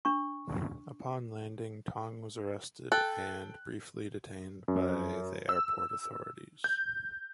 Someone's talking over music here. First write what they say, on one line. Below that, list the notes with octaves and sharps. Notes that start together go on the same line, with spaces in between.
Upon landing, Tong was arrested and briefly detained by the airport authorities.
D4 C#6
A4 G5 F#6
F#2
E6
G6